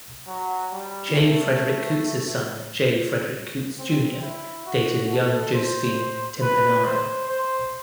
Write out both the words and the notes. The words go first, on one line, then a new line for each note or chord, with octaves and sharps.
J. Frederick Coots' son, J. Frederick Coots Junior dated a young Josephine Timpenaro.
F#3
G3
A3
C4
E4
F#4
A4
C5
B4
C5
C5